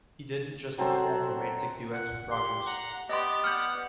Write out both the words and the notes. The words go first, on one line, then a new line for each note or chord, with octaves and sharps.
He didn't just perform romantic duets with Rogers.
F#3 C4 A4 C5
F#5
G4 C6
F#5 A#5
B3 G4 D5 D#5 C6
F#5 F6 G6